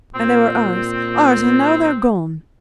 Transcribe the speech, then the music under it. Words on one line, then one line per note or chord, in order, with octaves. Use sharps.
"And they were ours, ours! and now they are gone."
A#2 C4